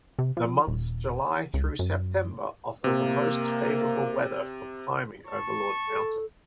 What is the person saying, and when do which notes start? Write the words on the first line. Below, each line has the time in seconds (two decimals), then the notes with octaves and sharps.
The months July through September offer the most favorable weather for climbing Overlord Mountain.
0.19 C3
0.37 F3
0.67 D#1
1.54 C#2
1.79 F#2
2.84 C3 A#3
5.26 A5 C#6
5.88 A4